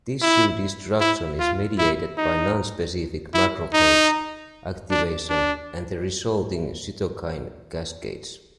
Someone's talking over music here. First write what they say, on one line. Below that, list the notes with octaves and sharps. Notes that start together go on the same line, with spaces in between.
Tissue destruction is mediated by non-specific macrophage activation and the resulting cytokine cascades.
E4
E4
F4
E4
D#4
E4
D#4
D4
D4